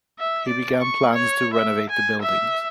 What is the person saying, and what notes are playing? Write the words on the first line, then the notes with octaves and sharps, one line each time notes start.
He began plans to renovate the buildings.
E5
D5
C#6
C#5
E5
G#5
E5